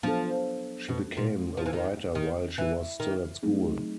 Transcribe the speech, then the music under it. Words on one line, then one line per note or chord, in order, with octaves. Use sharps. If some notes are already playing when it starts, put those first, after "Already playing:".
She became a writer while she was still at school.
F3 F#3 B3 D4 F4 A4
B2
A#2
F3
E3
D#3
D#3
E3
D#3
F#3 A3 C4 D#4 G#4